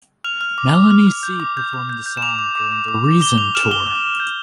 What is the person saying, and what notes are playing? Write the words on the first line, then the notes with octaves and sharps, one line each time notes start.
Melanie C performed the song during the Reason Tour.
F6 F7
F6
D6
D6
F6
F6
G6
D6
G6
D6
G6
G6
E7
D6 F7
D6
D6
D6
D6
D6
D6 G7
D6 F7
F6 E7
D6 G7
D6
D6
G6